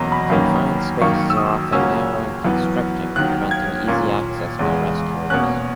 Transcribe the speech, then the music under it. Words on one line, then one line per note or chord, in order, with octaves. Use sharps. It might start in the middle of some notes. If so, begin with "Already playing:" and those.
Confined spaces are often narrow and constricting preventing easy access by rescuers.
Already playing: E2 B2 F#3 A#3 C#4 D#5 A#5
B5
F#2 D#3 A#3 C#4
F#2 D#3 A#3 C#6
E6
D#6
C#2 C#3 F#3 A#3 C#4 E6
F#2 E3 B3
D#2 D#3 F#3 F#6
G#6
A#2 A#3 C#4
E2 C#3 G#3
B2 A#3 C#4 F#6